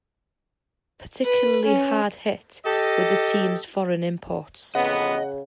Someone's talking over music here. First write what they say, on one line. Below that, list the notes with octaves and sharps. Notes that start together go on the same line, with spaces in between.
Particularly hard hit were the team's foreign imports.
B4
C#4
G4 A4 D#5
A1 F2 C#3 B3 D#5 F#5